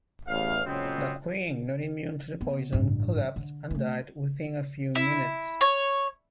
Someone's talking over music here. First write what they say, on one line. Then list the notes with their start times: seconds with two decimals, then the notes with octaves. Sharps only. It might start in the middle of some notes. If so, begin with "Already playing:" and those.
The queen not immune to the poison collapsed and died within a few minutes.
0.28 A1 E2 F5
0.66 A#2 C#3 F#3 G#3 B3 C4
2.41 B3
2.73 A1 G2
3.36 D3
3.70 A3 C4
4.95 E4
5.61 C#5